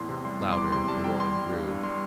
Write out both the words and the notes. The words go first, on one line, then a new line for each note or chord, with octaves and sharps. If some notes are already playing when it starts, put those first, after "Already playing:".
Louder the roaring grew.
Already playing: E2 A2 C6
C3
G3 C6
E2
C6
E2 D6
C3 C6
G3 A5
E2 G5
G3 C6
G3
G2
G2
G3 C6